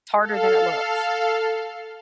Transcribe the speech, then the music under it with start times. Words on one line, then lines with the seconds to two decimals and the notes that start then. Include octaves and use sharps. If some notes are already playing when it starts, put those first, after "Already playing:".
T harder than it looks.
0.20 A4 F5